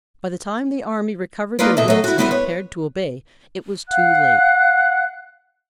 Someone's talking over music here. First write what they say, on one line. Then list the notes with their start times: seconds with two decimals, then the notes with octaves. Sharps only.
By the time the army recovered their wits and prepared to obey, it was too late.
1.59 A#3 D#4 F4 B4 D5
1.77 B2 A4 B4 E5
1.88 F#3 A3 A4 D#5
2.04 E4 F#4
2.18 G3 B3 C4 E4 A4 B4
2.31 B4 C#5
3.89 F5 F#5 F#6